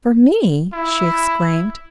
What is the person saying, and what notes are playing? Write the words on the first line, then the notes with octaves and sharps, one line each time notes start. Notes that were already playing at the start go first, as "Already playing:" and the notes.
"For me!" she exclaimed.
E4